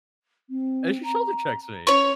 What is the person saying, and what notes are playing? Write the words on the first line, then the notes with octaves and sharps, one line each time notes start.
And she shoulder checks me.
C4
A#5
C#4 C#5 C#6